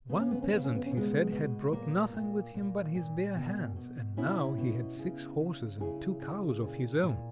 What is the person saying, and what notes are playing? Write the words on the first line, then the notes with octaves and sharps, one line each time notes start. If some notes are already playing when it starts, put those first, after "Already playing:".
One peasant, he said, had brought nothing with him but his bare hands, and now he had six horses and two cows of his own.
C#3 B3
C#4
B3
C#4
C#3 B3
C#4
B3
C#4
B2
G#3 B3
B2
A#2 A#3
A#2
A#2
A#2
B2
B2
B2 C#4 E4
B2
C#3
C#3
C#3 E4 G#4
C#3
A#2
A#2